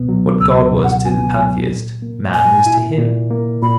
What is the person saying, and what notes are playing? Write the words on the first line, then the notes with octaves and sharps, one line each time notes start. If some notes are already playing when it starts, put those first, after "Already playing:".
What God was to the pantheist, man was to Him.
Already playing: C#2 B2 B3
F#3
C#2 E6
B2
F#5
B3 G#5
F#3
A#2
A#3
A#2 G#5
E4
A#2
A#3
A#2 B5